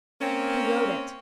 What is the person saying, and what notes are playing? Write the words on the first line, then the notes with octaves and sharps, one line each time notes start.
"Who wrote it?"
A#3 C4 C#4